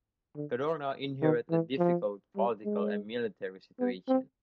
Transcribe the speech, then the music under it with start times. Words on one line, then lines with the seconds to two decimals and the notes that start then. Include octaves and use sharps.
Cadorna inherited a difficult political and military situation.
0.36 D3
1.22 D#3
1.51 E3
1.78 F3
2.35 G3
2.65 G#3
3.80 B3
4.08 C4